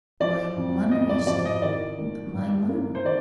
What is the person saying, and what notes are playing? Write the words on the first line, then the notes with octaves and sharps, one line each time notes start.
"Why, munner is--my munner."
F3 D5
F2
F2 D#5
D5
F3 D5
D#5
D#3 D5
D#3
G2
A#3
C5
D#3 D5